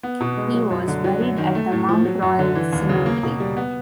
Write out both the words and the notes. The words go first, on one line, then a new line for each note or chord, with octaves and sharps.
He was buried at the Mount Royal Cemetery.
B3
B2
G#3
F#3
F#2
D3
F#3
F#2
D#3
A3
A2
F3
F#3
F#2
D3
E3
D#2
C#3
A#3
B2
G3
B3